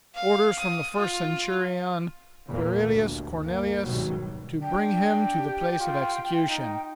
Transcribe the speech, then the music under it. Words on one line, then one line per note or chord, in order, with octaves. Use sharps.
Orders from the first centurion Quirrillis Cornelius to bring him to the place of execution.
F5
D#6
F4
E2 A#2 A#3
G1 D2
A#3
C#2 G#2 B2 D#3 F#3 G3
D4 G5
G4
F4
D#4